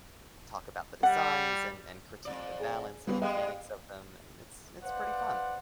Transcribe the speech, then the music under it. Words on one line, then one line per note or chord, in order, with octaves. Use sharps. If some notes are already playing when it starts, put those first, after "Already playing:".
talk about the designs, and and critique the balance and mechanics of them, and it's it's pretty fun.
G3 F#5
F2 E3 D5
G#4
C#3 F3 G3 B3
G3 G#3 D#5 F5 G5
B4 C5 D5 F5 F#5